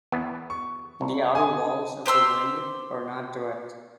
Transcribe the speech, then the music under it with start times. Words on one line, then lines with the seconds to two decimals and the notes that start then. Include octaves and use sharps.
The outer walls of the Wing are not direct.
0.12 E2 B3
0.50 C#6
1.01 C2
1.35 G#5 D#6
2.06 G4 C5 C6 E6